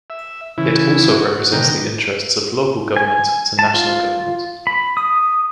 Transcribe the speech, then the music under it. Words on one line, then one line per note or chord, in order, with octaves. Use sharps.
It also represents the interests of local government to national government.
E5
C#3 E3 E4
F#4
B2 D3 D#3 G5 A#5
G#5
A5
F4
B5
D#6